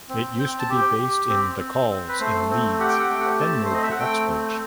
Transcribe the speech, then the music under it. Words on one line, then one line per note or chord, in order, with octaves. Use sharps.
It used to be based in "The Calls" in Leeds, then moved to Uxbridge.
C4
C4 G5
A5
G4
G5
G4
C4
C4
C4
B4
A3 C5
C4
G4 F#5
G5
F#5
A3 G5
F#5
C4 A5
C5
C4 D#5
E5
F#5
A3 G5
C4